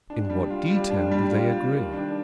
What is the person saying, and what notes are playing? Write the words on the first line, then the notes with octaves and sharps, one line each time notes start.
In what details do they agree?
D4
G3
F4
G3
D4
G3
F4
G3
D#3
D4